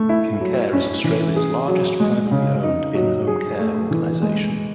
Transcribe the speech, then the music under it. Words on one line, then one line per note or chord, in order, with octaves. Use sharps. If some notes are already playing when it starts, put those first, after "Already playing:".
Kincare is Australia's largest, privately owned, in-home care organisation.
Already playing: A3
E4
F#3
C#4
E3
G#4
F#3
G#3
C#3
D#4
F#3
G#4
A3
E3
G#3